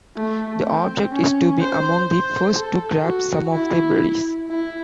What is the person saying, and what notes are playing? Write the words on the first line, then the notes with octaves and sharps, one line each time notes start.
The object is to be among the first to grab some of the berries.
A3
C4
C#4
C5
C5
A4
F#4
E4
E4